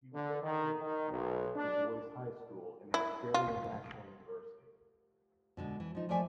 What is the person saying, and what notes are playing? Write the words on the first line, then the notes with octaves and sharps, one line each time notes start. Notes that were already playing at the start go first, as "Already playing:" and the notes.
He was educated at North Sydney Boys High School and the Australian National University.
D3
D#3
D#3
B1
D4
E4
F4
B2 D3 G#3
E3
F3 D#4
F3 A3 A#4 D5 E5 G#5